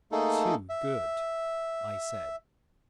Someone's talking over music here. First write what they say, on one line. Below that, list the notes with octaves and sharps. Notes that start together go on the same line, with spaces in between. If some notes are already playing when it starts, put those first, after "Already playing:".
"Too good," I said.
A3 A#3 D#4 G#4 A4
E5